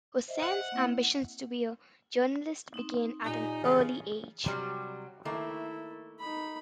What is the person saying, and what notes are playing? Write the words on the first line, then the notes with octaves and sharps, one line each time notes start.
Hossain's ambitions to be a journalist began at an early age.
C5 D#5 E5
F#5
A#3 C4 E4
C4 D#4
A#2 D#4 G4 G#5
C#3 E3 F4
C3 F#3 G3
D#3 A3 A#3 E4
D#4 B5